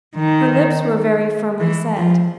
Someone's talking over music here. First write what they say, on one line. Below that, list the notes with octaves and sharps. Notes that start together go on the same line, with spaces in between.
Her lips were very firmly set.
D#3
E3
F3